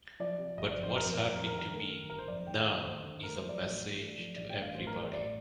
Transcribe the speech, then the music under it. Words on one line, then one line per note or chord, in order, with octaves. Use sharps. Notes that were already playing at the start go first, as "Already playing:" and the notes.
But what's happening to me now is a message to everybody.
F3 D5
C3
G1 D#5
D5
F2
C5
F2 A#4
C5
G3 A#4
F2 A#4
A#4
D#3
A#4
A3
D#3
G1 A#4
C5
F2 D5
C5
D#2 G5
F5
A3
D#5
D#2 C5
D3
A3 A#4
C5
F3
D5
A1
G2
A3
F3
A1 D5
G5
G2
F5
A1 C5
A#4
G3
C5
A1 D5